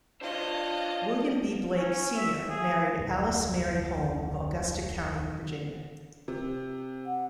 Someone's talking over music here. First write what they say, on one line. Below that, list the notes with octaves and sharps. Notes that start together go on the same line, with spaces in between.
William B. Blake, Senior married Alice Mary Home, of Augusta County, Virginia.
D4 F4 C5 C#5 D#5
C#4
E5
G#4
F1 D2 A#2 F#3
C3
F#5